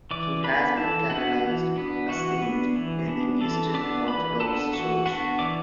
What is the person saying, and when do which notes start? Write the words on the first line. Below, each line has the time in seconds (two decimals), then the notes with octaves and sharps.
He has been canonized a saint in the Eastern Orthodox Church.
0.11 E3 D5 D6
0.44 B3 D4 B4 B5
0.77 E3 A4 A5
1.10 B3 D4 F#4 F#5
1.43 E3
1.76 B3 D4
2.09 E3 F#4 F#5
2.42 B3 D4
2.76 E3
3.08 B3 D4
3.41 E3 A4 A5
3.74 B3 D4 D5 D6
4.07 E3 B4 B5
4.40 B3 D4 A4 A5
4.73 E3 F#4 F#5
5.06 B3 D4 F#4 F#5
5.39 E3 D5 D6